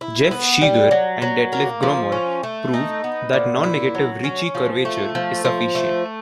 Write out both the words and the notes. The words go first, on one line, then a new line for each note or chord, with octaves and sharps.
Jeff Cheeger and Detlef Gromoll proved that non-negative Ricci curvature is sufficient.
E4
B3
G3
F#3
F#3
A#3
F3
C#4
A3
D#4
B3
A#2
E4
F#3
C#4
F3
A3
F3
F3
A3